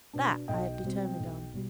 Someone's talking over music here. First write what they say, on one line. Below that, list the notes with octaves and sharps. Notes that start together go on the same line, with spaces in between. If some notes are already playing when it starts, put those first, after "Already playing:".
That I have determined on.
B2 B3 D4
B1 D#5 G5
B2 G3 C4
B1
B2 G3